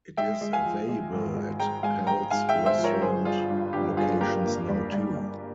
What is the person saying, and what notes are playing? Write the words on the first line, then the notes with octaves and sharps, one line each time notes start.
It is available at Pal's restaurant locations now too.
G#3 E5 G5
G#3
F5 G#5
F3
G#3
G#1
G#3
G#3 G5 A#5
G#3 F5 G#5
G#3 G5 A#5
G#2 F5 G#5
E5 G5
G#1
C5 E5
F3
A#4 C#5
G1 G#4 C5
G3 F4 G#4
G2
G1 G4
G1 F4 G#4
A#3 G4 A#4
A#3
G3
G3
G3